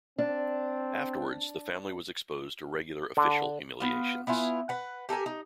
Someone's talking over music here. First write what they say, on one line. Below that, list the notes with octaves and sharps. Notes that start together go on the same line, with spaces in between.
Afterwards, the family was exposed to regular official humiliations.
C4 D4
D3
B3 F4
B3 E4 F4 G#5
B4 F#5
G4 A4 A#4 G#5
D#4